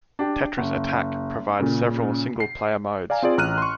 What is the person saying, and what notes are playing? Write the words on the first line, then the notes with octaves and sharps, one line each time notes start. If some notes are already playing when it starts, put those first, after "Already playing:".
"Tetris Attack" provides several single-player modes.
D4 G4
F#1
A#2 C#3
C7
D5 F5 G#5 A#5
C4 F4 G#4 D5
A1 A#5 F6 F#6 D#7
C6 C#6